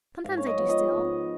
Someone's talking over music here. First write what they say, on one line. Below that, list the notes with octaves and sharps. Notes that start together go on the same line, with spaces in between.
"Sometimes I do still."
G#2 F5
C#5
D#5
F3 B3
D#5
G#2